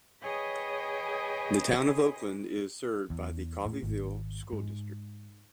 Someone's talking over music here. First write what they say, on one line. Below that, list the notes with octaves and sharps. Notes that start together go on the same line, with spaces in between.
The Town of Oakland is served by the Coffeeville School District.
G#4 B4 C#5 D#5 G5 G#5
E2
A2
G#1
G#2